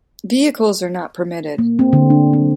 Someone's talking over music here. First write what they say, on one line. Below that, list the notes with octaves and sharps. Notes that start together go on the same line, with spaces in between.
Vehicles are not permitted.
A#3
C4
D3
D4
C4